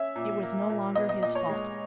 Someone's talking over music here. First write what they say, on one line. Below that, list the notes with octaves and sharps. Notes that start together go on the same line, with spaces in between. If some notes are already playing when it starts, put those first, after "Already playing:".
It was no longer his fault.
Already playing: C#4 E5
A#2
A#3
A#2
B3 D#5
D#5
A#2 D#5
C#5
G#3